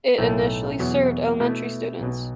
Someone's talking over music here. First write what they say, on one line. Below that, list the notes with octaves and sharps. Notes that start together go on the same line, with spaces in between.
It initially served elementary students.
B1 A2 A3
E2 B2 F#3
B2 A3 E4
B1 B2 F#3